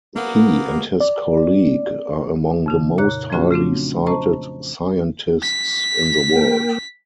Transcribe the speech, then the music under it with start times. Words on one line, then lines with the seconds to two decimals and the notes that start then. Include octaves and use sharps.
He and his colleague are among the most highly cited scientists in the world.
0.15 F#3 A#3 B3
1.00 D5
2.66 F2 C#3 D#4
2.98 A#2 C#5 A#5 F#6
3.30 F3 F#3 A3 C#4 F4 F#4
3.51 C#3 A3 C4 D4
4.07 C5 D#5 A5 A#5 C#6
5.42 B6
6.36 A#3 A#4 G5